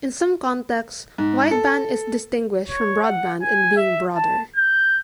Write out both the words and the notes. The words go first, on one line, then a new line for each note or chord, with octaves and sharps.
In some contexts wideband is distinguished from broadband in being broader.
G#2
A4
C#5
F#5
G#5
E5
A5
G6